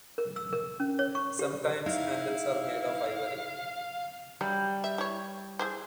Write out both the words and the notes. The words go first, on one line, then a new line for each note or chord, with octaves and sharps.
Sometimes handles are made of ivory.
A#4
E6
A#4
C#4
C#5
C#6
G4
D#4 E4 F5
F#3 G3
E5
E4 C#5
E3 G#4 C5